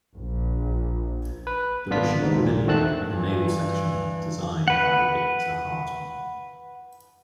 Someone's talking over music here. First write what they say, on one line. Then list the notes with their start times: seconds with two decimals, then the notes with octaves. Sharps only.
The Russian pavilion had a naval section designed by Viktor Hartmann.
0.16 A#1
1.47 B4
1.90 G#1 B3 D4 F4 B6
2.22 D#2 G#2
2.43 A#1 A#2
2.66 D3 D#3 A3 C4 A5 F#6
3.06 G2 E3
4.68 B4 F#5